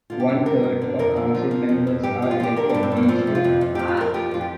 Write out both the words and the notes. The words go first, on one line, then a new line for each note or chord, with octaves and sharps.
One third of council members are elected each year.
D3 F4
G4
G2
G2 A#4
G2
D3
F2 A#4
D3
F3
F3
F2
F2
G2 G4
F3
F4
F3 G4
D3 A#4
D4
G2
C4
G2
A#3
D4
F3 C4
C3
F4
F2
F2
F2 G4
F4
F2 A#4
F3 G4
F2 F4
G4